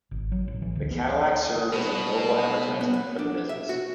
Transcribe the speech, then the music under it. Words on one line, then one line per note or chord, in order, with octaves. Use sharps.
The Cadillac served as a mobile advertisement for the business.
G#1
F#3
A1
E3
D2
B3
B2
B3
F#5
D4
E5
F#4